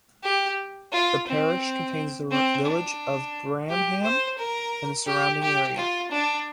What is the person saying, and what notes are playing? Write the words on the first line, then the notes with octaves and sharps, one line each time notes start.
The parish contains the village of Bramham and the surrounding area.
G4
F4
C4
C4
D4
G4
C5
A#4
G4
G4
F4
D4